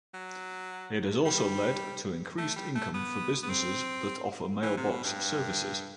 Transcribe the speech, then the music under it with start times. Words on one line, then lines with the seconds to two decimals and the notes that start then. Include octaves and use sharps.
It has also led to increased income for businesses that offer mailbox services.
0.14 F#3
1.25 G3
2.38 A3
2.56 G3
2.75 A3
2.94 B3
3.43 B3
3.50 C4
4.63 E3
4.77 C3
4.90 B2
5.04 G2